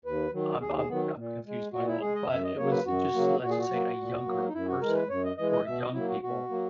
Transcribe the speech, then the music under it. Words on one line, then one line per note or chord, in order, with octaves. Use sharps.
I'm I'm I'm confused by it all but, it was just let's just say, a younger person, or young people,
D#2 B4
D#3 F#3
D#2 G#4
G#4
D#3 F#3 B3
A#2
G#3
A#2 F#4
E4
G#3 G#4
D#5
F#2 E5
D#5
C#3 F#3 A#3 C#5
B4
F#2 F#4
C#3 F#3 A#3
A#2 F#4
G#4
F#4
F#3 A#3
A#2
F#3 A#3
D#4
F#2 E4
F#4
E3 G#3 A#4
B4
F#2 C#5
D#5
E3 G#3 D#5
D#5
B2 E5
D#5
F#3 A#3 E4
F#4
B2 F#4
F#3 A#3